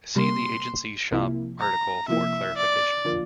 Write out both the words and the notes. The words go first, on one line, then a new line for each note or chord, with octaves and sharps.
See the Agency shop article for clarification.
C3 G3 A#3 C6
C2 C3 F3 A#3 E4
A#5
C3 F3 A#3 E4 E5
D5
D3 F3 A#3 D4 F4